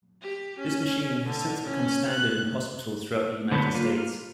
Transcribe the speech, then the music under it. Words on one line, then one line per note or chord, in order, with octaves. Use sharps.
This machine has since become standard in hospitals throughout the United States.
G4
C#4
D3
C#4
F#6
D3 F#3 B3 B4 G6
A#3 F4
F6